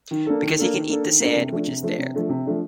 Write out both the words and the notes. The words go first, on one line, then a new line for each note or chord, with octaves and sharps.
Because he can eat the sand which is there.
D#3
A#3 D4 A4
D#3
A#3 D4 A4
D#3
A#3 D4 A4
D#3
A#3 D4 A4
C3
F3 A3 D4
C3
F3 A3 D4
C3
F3 A3 D4
C3
F3 A3 D4